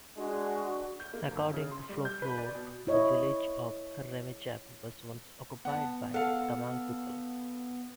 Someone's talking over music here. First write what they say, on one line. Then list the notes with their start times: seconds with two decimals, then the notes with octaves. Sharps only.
According to folklore, the village of Ramechhap was once occupied by Tamang people.
0.17 G#3 D4 F#4
1.00 G6
1.14 A#3
1.30 G1
1.54 C#3
1.71 C6
1.89 G3
2.05 G6
2.22 B4
2.38 D5
2.55 B2
2.87 E4 C#5 D#5
5.65 B3 F#5 A5
6.14 A4 F5 F#5